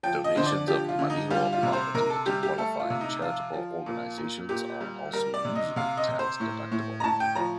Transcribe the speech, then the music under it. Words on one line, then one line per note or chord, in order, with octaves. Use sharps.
Donations of money or property to qualifying charitable organizations are also usually tax deductible.
F3 G5
D#5
D3 C5
D5
F3 G4
F4
D3
D#4
G3 F4
F4
C3
C5
C3 A#4
A4
G3 G4
G4
A3 A4
F4
C3
D#4
F3 F4
F3
A#2
A#2
A#2 G4
G3
G3 A#4
D5
C3
D#5
C3 F5
D#5
C3
C5
A2
A2
A#5
A2 A5
G5
F3 A#5